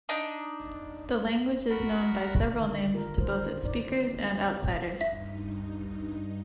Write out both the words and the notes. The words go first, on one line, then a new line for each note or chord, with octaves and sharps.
The language is known by several names to both its speakers and outsiders.
D4 D#4
F#4 A#4 B5
D3 D#3
F4 A#4
D#3 C5
D#4 D5
A#3 C4
G2 D#4 E5 B6